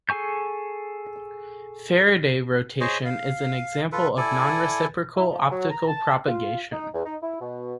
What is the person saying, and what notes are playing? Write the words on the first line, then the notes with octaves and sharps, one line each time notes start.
Faraday rotation is an example of non-reciprocal optical propagation.
G#4 A4 G#5 C#6 G6
G#4 C5 C#5 D#5
F5
F4 A4 B4
E4 A4 D5 G#5
E4
F3
F#3
A#5
A5
F4
D#4
E2
D#4
E4
B2